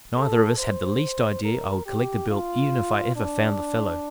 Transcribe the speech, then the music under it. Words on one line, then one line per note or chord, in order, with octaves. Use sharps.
Neither of us had the least idea I would collect the bill even if I ever found the fellow.'
A4
C5
A#4
G4
F4
D4